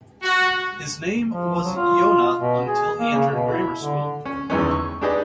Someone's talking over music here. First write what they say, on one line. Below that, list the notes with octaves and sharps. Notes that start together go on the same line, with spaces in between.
His name was "Yonah" until he entered grammar school.
F#4
F3
F#3
F4
B2
G#4
A#3
C#3
B2
E4
D3
C#4
E2 D#3 E3 G#3 B3 C#4
C#6
D4 D#4 G4 G#4 B4 D#5